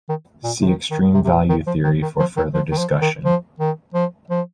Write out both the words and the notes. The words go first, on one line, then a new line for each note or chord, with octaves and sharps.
See extreme value theory for further discussion.
D#3
A#2
C3
D#3
D#3
C3
C3
A#2
D#3
F3
D#3
D#3
F3
D#3
F3
D#3
F3
D#3
F3
D#3
F3
F3